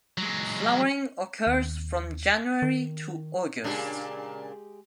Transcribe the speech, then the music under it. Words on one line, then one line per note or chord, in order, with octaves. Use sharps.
Flowering occurs from January to August.
F#3 G#3
D#2
D#3
A#2 C#3 G#3 D4 G4 G#4